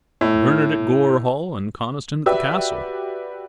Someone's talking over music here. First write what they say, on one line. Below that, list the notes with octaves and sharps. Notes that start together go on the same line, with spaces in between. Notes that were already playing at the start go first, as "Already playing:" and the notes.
"Bernard at Gore Hall and Conniston at the castle."
A2
F#4 G4 B4 D5 E5